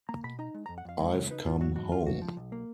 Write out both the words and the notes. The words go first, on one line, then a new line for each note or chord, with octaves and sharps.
I've come home.
A#3 A#5
B2 B5
D#4 A#5
G#3
F2 A#5
F#5
F2 F5
G#3
C#3 C#5
D#4 B4
G#2 F4
F#3 F#4
G#2 F#4
F2 F4
F2 F#4
F3
B1
A#3